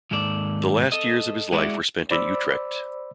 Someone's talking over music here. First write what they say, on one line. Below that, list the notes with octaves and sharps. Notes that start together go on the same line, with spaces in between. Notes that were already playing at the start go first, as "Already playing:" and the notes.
The last years of his life were spent in Utrecht.
D#2 G#2 D#3 A4 D5
A4 D#5
G#3 E4 F#4 D5
C5 D5 B5 D6 E6